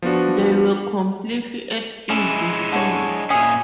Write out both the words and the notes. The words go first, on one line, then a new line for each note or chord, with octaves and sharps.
They were completely at ease with him.
F3 B3 D4 F#4
G#3 C#4 E4
D3 C#5
A#2 C#4 E4 G#4